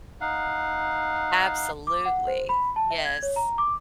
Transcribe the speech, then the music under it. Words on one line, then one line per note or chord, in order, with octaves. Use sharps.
Absolutely, yes.
D#4 F5 F#5
D6
F#5
C5
B5
A5
E5
G#6
C#5
A#5
D6